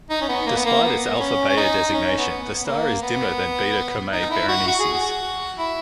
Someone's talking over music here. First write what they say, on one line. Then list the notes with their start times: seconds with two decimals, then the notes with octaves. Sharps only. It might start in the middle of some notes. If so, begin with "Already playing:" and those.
Despite its Alpha Bayer designation, the star is dimmer than Beta Comae Berenices.
0.10 D#4
0.22 C#4
0.29 B3
0.47 A#3
0.56 B3
0.65 A#3
0.84 B3
1.20 C#4
1.49 C#4
1.57 D#4
1.94 C#4
2.18 B3
2.42 B3
2.67 A#3
3.03 B3
4.12 D#4
4.31 E4
4.48 F#4
4.68 F#4
4.80 G#4
4.94 F#4
5.58 E4